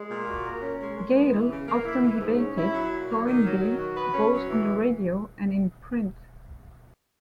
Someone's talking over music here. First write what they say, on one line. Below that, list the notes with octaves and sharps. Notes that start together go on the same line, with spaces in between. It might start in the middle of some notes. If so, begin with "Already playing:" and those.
Geyl often debated Toynbee both on the radio and in print.
Already playing: G#3
A#2
F#4
A#4
C#4
G#3
G#3
B3
E3
C#3
A#3
E4
E3
G#2
C#4
E4
F#3
A#2
A#3
D#3
F#3
D#3
F#4
B4
C#4
F#3
E3